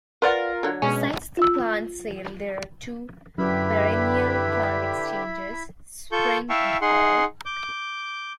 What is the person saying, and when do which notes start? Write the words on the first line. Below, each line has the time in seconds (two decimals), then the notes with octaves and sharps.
Besides the plant sale, there are two perennial plant exchanges, spring and fall.
0.22 F4 A#4 B4 D5 F#5
0.63 D3 F#3
0.82 B2 G#3 C#4
1.37 F4 E6
3.38 F#2 D3 E4 G4 B4 E5 B5
6.12 F4 A4 C#6 G6
6.50 E4 E5 F5 G5 A5 C#6
6.81 D#4 G#4 F#5 C6
7.46 D6 G6